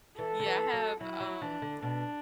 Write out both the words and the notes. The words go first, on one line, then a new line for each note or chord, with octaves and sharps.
yeah, I have, um,
E3 A4
D3
E3
F#3
F#3 E4
F#3
E3 D4
D3
B2 D4